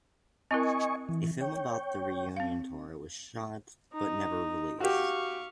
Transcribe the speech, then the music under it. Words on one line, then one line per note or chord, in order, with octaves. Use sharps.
A film about the reunion tour was shot but never released.
C4 E4 A#4 D#5 G#5 C#6
E3
C#5 G5
C4 F5
D#4
F#4 G4 F5 C#6